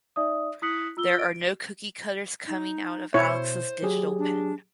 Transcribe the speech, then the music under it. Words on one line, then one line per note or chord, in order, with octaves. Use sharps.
There are no cookie cutters coming out of Alex’s digital pen!
D#4 D5 E5 D#6
E4 D#6 F#6 B6 C#7 F#7
F4 E6 G7
D7
D#4
B2 E4 C5 C#5
F#3 G4 G#4
D4